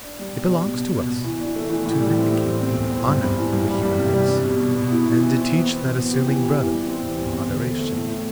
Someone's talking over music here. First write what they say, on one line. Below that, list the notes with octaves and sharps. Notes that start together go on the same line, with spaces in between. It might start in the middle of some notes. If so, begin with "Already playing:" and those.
It belongs to us to vindicate the honor of the human race, and to teach that assuming brother, moderation.
D4
G3
B2
D4
B2
B2
B2
B2
E3
D4
A3
E3
A2
G3
C4
A2
C4
C4
E2
C4
G2
G2
E3
G2
G3
G3
C3
G3
D4
B2
B2
B2
E4
E4
E3
C4
B3
B3
B2
B3
G4
E3
E3
E3
G3
C4
E2
E2
C4
D3
A3
A3
A2
A2